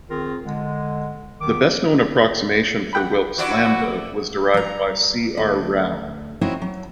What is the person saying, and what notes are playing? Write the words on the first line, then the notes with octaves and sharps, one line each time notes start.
The best-known approximation for Wilks' lambda was derived by C. R. Rao.
D#3 C4 F4 G#4 A#4
D3 G#3
D#2 D#3 B3 D6
F#5 G5 B5
F3 E4 F#4 D5
G3 A#5
D2
C4 D#4 E4 F#4 C5 C#5
F#3